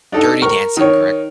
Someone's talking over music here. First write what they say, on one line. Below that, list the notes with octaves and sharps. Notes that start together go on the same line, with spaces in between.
Dirty Dancing, correct?
D4 D#4 A4
A#4 C#6
D#3 C#5